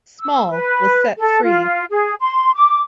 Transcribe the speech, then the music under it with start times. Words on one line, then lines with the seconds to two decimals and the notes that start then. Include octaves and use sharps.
Small was set free.
0.21 E6
0.50 B4
1.18 A4
1.44 F4
1.90 G#4
2.21 C6
2.55 D6